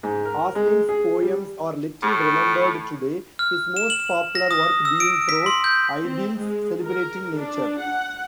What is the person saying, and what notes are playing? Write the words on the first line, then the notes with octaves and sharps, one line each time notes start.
Austin's poems are little-remembered today, his most popular work being prose idylls celebrating nature.
G#2
A#4
G#3
G#4
G3
A2
F6
E7
F#7
A#6
D#6
E6
D7
B6
C6
G6
C4
G#3
A#4
D4
F#5